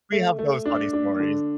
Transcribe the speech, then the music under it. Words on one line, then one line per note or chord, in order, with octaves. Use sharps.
we have those funny stories.
A3
A3
D4
D4
D3